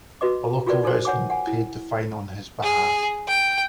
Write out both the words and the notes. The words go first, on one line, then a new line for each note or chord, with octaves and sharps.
A local resident paid the fine in his behalf.
F#4 B4 D#5 D6
F4 F#4 G#4 A#4 B4 D5
D#4 A4 A#4 C5
C#5 F#5 G#5 D6
F#5 G#5
E4
G#4
G5